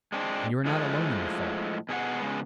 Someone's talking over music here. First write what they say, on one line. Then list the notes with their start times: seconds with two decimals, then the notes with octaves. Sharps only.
And you are not alone in your fault.
0.12 G#3 C4 D4
0.65 A2 F3 G#3 A3
1.89 B2 G#4 C#5 F#5
2.20 C#3 G#3 B3